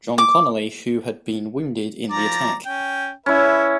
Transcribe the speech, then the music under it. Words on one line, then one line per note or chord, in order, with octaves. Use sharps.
John Connally, who had been wounded in the attack.
D6
F3 D5 A#5
C#4 G5
C#4 E4 B4 E5